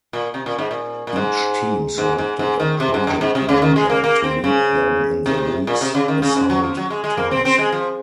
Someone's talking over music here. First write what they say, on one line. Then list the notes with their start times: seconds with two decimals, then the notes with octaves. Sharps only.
Each team selected a "project manager" to lead them in the week's assigned task.
0.13 A#2
0.34 C3
0.46 A#2
0.59 G#2
0.71 A#2
1.07 A#2
1.16 G#2
1.98 G#2
2.18 G#2
2.39 G#2
2.60 D#3
2.80 C3
2.94 G#2
3.07 F#2
3.21 G#2
3.35 C3
3.49 C#3
3.62 D#3
3.76 G#3
3.90 A#3
4.04 A#3
4.24 C4
4.44 C#3
5.26 C3
5.67 A#2
5.81 C3
5.95 C#3
6.08 D#3
6.22 C#3
6.36 G#2
6.50 F#3
6.63 F3
6.77 F#3
6.90 G#3
7.04 G#3
7.17 A#3
7.31 C4
7.45 C4
7.59 G#3
7.72 F3